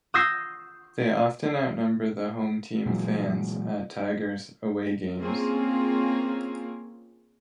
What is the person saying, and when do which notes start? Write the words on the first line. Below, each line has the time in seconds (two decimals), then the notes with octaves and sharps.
They often outnumber the home team fans at Tigers "away" games.
0.14 D#6 E6 G6 G#6 A#6 C7
2.86 A#2 E3 F#3 G#3
5.20 A#3 C4 C#4 F4 G#4